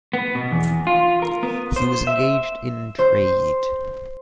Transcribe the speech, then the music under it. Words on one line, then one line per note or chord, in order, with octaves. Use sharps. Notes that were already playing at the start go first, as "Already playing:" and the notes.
He was engaged in trade.
B3
B2
E2
F4
A#4
B3
C5
E5
C5